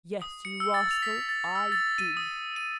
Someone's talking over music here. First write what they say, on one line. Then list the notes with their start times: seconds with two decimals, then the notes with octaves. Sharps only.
"Yes, you rascal, I do."
0.22 D#6
0.45 C#7
0.60 E6
0.74 A6
0.91 F7
1.02 B6
1.29 A6
1.55 E6
1.72 A6
1.98 D#7
2.17 D#6
2.56 D#7